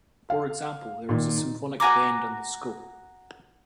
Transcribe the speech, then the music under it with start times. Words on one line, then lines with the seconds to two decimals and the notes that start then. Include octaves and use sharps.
For example, there is a symphonic band in the school.
0.30 F5
1.09 A#2 D#3
1.38 D#4
1.80 F#4 G#5 A#5 D6